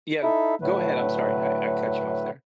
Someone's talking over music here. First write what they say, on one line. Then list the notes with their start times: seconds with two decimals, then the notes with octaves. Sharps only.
yeah, go ahead. I'm sorry. I I cut you off there.
0.23 D#4 E4 A4 E5
0.62 A2 D3 F#3 A3 B4